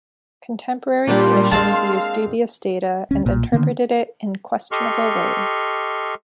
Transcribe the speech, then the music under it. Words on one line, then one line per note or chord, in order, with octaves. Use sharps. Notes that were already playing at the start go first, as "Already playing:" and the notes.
Contemporary commissions used dubious data and interpreted it in questionable ways.
A#2 G3 A#3 D4 G4 C6
G#3 C4 F5 A5
D2 C#4
B1 A#2
D3 D#3 A#3 B3
G4 A4 D#5 C6 C#6 F6